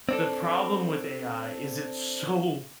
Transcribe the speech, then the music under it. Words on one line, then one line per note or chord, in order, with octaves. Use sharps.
The problem with AI is it's so
C4 D4 A4